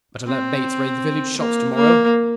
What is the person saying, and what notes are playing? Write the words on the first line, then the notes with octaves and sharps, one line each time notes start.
Better let Bates raid the village shops to-morrow.
C4
A#3
A#3